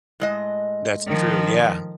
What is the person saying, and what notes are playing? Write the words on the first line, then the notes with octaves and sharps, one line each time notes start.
That's true, yeah.
A2 G#3 D#5
D#3 F3